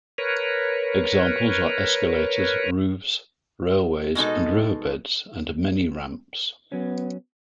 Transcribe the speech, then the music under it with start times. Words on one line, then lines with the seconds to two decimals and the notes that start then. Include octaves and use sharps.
Examples are escalators, roofs, railways and riverbeds and many ramps.
0.18 A#4 B4 C#5
4.15 B2 G#3 D#4 A4
6.72 F#3 B3 C#4